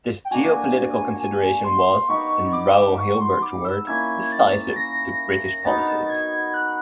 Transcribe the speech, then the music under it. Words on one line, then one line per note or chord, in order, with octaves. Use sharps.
This geopolitical consideration was, in Raul Hilberg's word, "decisive" to British policies.
G5
A#3 D4 F#4 G#5
G#5
C6
B3 D#4 G4 B4 C#6
D6
C#6
C6
D6
E6
A#3 C#4 E4 G#6
A6
A#6
B3 D#4 F#4 A#4 A6
G#6
F#6